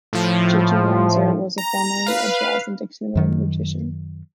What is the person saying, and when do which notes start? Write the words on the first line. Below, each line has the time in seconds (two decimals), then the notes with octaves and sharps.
Gigerenzer was formerly a jazz and Dixieland musician.
0.13 A2 F3
1.58 A#5
2.06 B4 F5
3.15 F#2 D#3 F#3